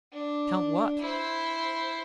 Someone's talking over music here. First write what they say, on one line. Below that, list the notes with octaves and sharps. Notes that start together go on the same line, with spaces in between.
"Count what?"
D4
E4 C5